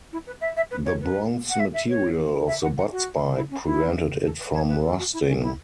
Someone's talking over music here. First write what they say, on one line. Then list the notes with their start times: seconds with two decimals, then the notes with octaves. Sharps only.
The bronze material of the butt-spike prevented it from rusting.
0.12 E4
0.26 B4
0.41 E5
0.56 E5
0.71 B4
0.85 C#5
1.00 B4
1.50 F#5
1.59 E5
1.73 E5
1.88 C#5
2.47 E5
2.62 F#5
2.77 F#5
2.92 F#4
3.36 E4
3.51 C#4
3.65 E4
4.24 A4
4.39 B4
4.54 C#5
4.68 B4
4.83 A4
4.98 F#4
5.13 E4
5.28 C#4
5.42 E4